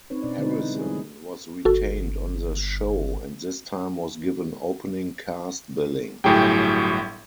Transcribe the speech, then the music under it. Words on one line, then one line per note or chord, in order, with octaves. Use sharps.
Harrison was retained on the show and this time was given opening cast billing.
C4 C#4 D#4 B4 C#5
B2 D4 D5
D3 G#3 C4 D#4 B4 C5
E3 E4
G#3 G#4
G3 G#3 F4
G1 F#4 A4
G1 A2 F#3 G4 G#4 G5